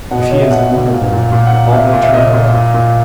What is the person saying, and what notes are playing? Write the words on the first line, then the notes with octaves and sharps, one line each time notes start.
If he is an honourable man, all may turn out well.
B2 F#5
D#5
B2 C#5
E5
B2 F#5
B2
A#2
A#2
A#2
F#5
A#2
A#2 E5
A#2
E5
A#2 D#5
A#2
A#2
A#2